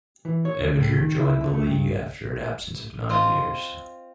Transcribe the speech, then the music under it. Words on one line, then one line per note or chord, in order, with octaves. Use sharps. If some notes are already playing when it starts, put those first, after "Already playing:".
Amager joined the league after an absence of nine years.
E3
C#5
A2
D#3
E4
D3
A3
G2
C4 F4 D#5